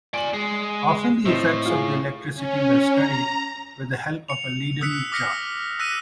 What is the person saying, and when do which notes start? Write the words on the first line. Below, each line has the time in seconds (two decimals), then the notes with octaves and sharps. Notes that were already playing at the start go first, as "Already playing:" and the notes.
Often the effects of electricity were studied, with the help of the Leyden jar.
0.14 D5 G#5 D7 F#7
0.33 G#3 G#4
1.26 A2 C4 D#4 E7
1.66 F4 G#4
2.35 C#4
2.91 A#5
4.28 C#7 F7
4.81 D#6 E6 F#6 B6 C#7
5.12 D6 D#6 F6 A#6 B6 C#7
5.79 E6 F#6 A#6 B6 D#7